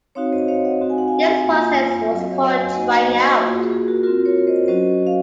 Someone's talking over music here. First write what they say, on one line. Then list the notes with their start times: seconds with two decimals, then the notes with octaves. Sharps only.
This process was called "trying out".
0.15 C4 D#4 F#4 C#5 F5
0.33 C5 D#5
0.48 C#5 F5
0.65 D#5 F#5
0.81 C4 D#4 F#4
0.90 G#5
0.98 F#5
1.08 F5 G#5
1.45 A#3 F4
2.09 F#3 C4 F#4 D#5 F#5
2.31 C#5 F5
2.44 F#5
2.52 F5 G#5
2.65 G#5
2.74 A#3 D#4 F#4 D#5 F#5
3.07 C5 D#5
3.39 A#3 F4 F#4
3.55 G#4
3.72 G#4
3.88 F#4 A#4
4.03 C4 F4 F#4 A#4
4.25 A#4 C#5
4.47 C5 D#5
4.68 F#3 C#4 F#4 C5 D#5
5.07 F5